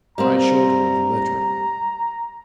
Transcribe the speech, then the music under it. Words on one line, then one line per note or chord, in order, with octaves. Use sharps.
'I showed her the letter.'
G3 A#3 C4 A#5